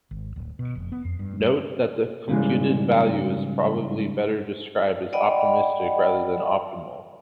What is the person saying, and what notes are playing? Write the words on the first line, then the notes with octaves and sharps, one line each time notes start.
Note that the computed value is probably better described as "optimistic" rather than "optimal".
G#1
D1
B2
F1
B3
F2
G2
G3
G#2 C#3 E3 F3 G3 G#3
D5 D#5 F#5 G5 B5